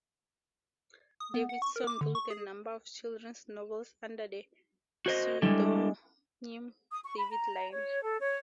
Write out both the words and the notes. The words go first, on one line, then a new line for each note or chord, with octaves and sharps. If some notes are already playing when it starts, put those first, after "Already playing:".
Davidson wrote a number of children's novels under the pseudonym David Line.
D#6
B3
F#5
C#6
A#4
D6
D3
C#6
G#4
F#4 C5 D#5 G#6 A#6
G3 G#3 D4 E4 A4
D#6
C#6
B5
A#5
C#5
A4
C#5